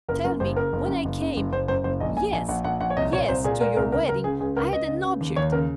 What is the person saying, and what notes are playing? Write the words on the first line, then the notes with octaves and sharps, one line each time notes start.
Tell me, when I came ... yes ... yes, to your wedding, I had an object.
F#1 A#4
F#2 A#4
F#1 C5
C#3 A#4
F#1
F#2
F#1
C#3
F#1
F#1 C5
F#2 C5
F#1 C5
A#1 D#5
A#1 G#5
A#1 G#5
A#1 F#5
A#1 F#5
A#1 F#5
C#5
C2 D#5
A#2 C#5
C2 C5
A#2 G#4
A#2 A#4
C2 A#4
C#2 A#4
C#2 A#4
C#3 G#4
C#2 G#4
C#2 A#4
C#2 D#5
C#3
C#3
D#2
D#2 C#5
C#3 A#4